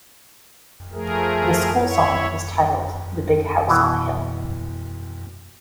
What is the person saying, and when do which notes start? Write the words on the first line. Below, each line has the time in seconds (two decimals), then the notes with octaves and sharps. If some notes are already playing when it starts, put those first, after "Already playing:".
The school song was titled "The Big House on the Hill".
0.93 F3 A3 G#4 A#4
1.79 E4 C#5
3.68 B2 E3